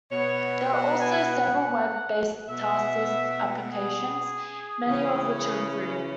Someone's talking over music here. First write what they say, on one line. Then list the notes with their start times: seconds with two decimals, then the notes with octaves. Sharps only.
There are also several web-based task list applications, many of which are free.
0.10 B2 B3 C#5
0.70 F#5
0.99 G#5
1.29 F#5
2.47 B2 B3 E5
3.66 G#4
4.85 C#3 E3 C#4